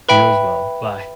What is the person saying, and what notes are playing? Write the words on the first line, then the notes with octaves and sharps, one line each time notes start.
You as well. Bye.
B4 E5 G5 B5